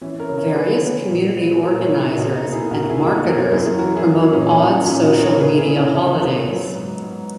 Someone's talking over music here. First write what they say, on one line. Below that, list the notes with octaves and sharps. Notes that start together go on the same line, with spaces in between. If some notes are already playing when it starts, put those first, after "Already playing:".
Various community organizers and marketers promote odd social media holidays.
E3 C#4 E4
A#4 C#5
C#3
A#4 C#5
E3 G#4 B4
B3
A#2
B3
A#2 F#4 A#4
A#4 C#5
B3
E4 G#4
B2 D#4 F#4
D#4
A#3
E4 G#4
B2 F#4 A#4
F#4
E4 G#4
A#3
D#4 F#4
F#2 F#4 A#4
A#4 C#5
F#2 E4 G#4
E4 G#4
E3 F#4 A#4
E4 G#4
E3
D#4
A#2 C#4
D#4
C#4
A#2 D#4
A#2 C#4 E4
D#4 F#4
A#3
A#4 C#5
C#3 G#4 B4
E4 G#4
C#3
C#4 E4
C#3 D#4
B3
F#3
G#2
G#2